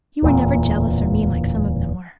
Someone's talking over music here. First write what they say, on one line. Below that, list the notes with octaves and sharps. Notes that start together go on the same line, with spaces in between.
You were never jealous, or mean, like some of them were.
D1 E2 A#2